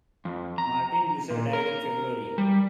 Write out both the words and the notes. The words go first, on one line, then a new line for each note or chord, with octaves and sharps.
Martin Bucer died in February.
F2
A#5
A#2
A#4
G3